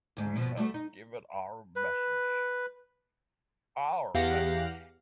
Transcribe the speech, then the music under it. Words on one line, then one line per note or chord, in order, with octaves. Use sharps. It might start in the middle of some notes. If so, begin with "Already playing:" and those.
We have given our message, our message!
D2 G#2
D#2 B2 F3
G3 A3 F#4
D#4
B4
E2 G4 F5 F#5 A#6